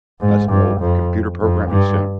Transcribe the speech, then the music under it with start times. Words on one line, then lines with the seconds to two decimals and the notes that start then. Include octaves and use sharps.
That's the whole computer programming saying,
0.20 G#2
0.50 G2
0.80 F2
1.42 F2
1.71 G2